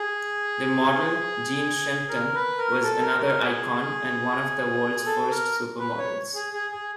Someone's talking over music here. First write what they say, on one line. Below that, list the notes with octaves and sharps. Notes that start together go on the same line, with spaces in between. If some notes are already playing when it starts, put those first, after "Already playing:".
The model Jean Shrimpton was another icon and one of the world's first supermodels.
Already playing: G#4
A#4
B4
A#4
A4
A#4
A#4
G#4
A4
A#4
B4
C#5
G#4
G#4
G#4